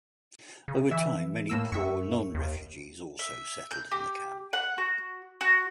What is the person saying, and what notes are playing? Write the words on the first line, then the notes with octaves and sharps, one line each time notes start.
Over time many poor non-refugees also settled in the camp.
C#3
E3 E5
A2 A#3 E6
F#2 E5 C#6
D#2
E5
G6
G4
F#5
F#4
F#4